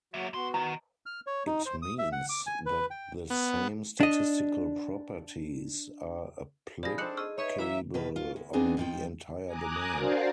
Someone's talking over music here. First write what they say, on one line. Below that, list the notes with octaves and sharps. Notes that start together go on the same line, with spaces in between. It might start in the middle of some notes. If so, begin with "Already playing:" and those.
It means that the same statistical properties are applicable on the entire domain.
F#3 A#3 F#4 E5
G#2 B3 F#4 C6
D#3 A#5
F6
C#5
D#4
C5
D#6
E5
F#5
D6
G#5
B4
G5
B3
D4 D#5
F3 G#4 D5 B5 A#6
C4 D4 D#4 A4 C5 F#6 C#7 F#7
G#4 D#5 C#6 E6 F6
D#4 B4 C#5 D#5 E5
E3 C#5 E5 F5 A#5
B2 D#3 A4 B4
F4
D2
E3 B3 C4 D4 D#4 G#4
F2 F3 G5
G#5 A#5 D6 D#6 F#6
D4 F#4 A#4 C5 D5 F5